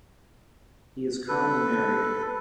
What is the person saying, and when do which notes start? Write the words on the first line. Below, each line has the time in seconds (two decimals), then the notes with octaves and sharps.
He is currently married.
1.28 A4 B4